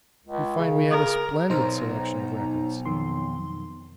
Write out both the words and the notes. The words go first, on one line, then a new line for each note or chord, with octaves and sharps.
We find we have a splendid selection of records.
C#2
C#3
A#4
B1 D#4 C5 A#5
F2 D#3 C6